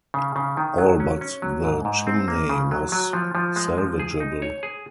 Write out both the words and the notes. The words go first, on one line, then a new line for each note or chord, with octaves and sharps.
All but the chimney was salvageable.
C#3
C#3
D#3
F#3
C#4
C#4
F#3
G#2
G#2
C4
A#3
C#3
F#3
F#3
F3
F3
G#3
F3
G#4
D#4
C#5
G#4